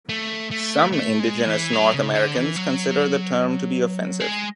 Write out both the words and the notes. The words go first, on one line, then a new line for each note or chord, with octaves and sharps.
Some indigenous North Americans consider the term to be offensive.
A3
A3
A3
G#3
E3
F#3
C#3
D3
E3
F#3
G#3